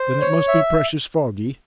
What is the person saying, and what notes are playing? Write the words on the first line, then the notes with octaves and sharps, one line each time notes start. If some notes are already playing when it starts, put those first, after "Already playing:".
Then it must be precious foggy?'
Already playing: C5
C#5
E5